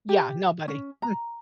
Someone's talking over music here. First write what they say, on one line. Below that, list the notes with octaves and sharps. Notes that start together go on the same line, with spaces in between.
Yeah, nobody. Mm.
G4
C#4
A#5